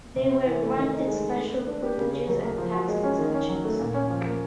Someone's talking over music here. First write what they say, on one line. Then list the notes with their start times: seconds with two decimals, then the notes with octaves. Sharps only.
They were granted special privileges and tax exemptions.
0.16 C3
0.31 C4
0.46 E3
0.62 A3
0.77 D#3
0.92 D#4
1.07 G#3
1.23 C4
1.37 A3
1.53 B4
1.67 D4
1.83 G4
1.98 C#3
2.13 C#4
2.28 F#3
2.43 A#3
2.58 F3
2.74 F#4
2.88 G#3
3.03 C#4
3.19 D#3
3.34 C#4
3.50 F#3
3.65 A3
3.79 A#2
3.94 C#4
4.10 F3
4.25 A#3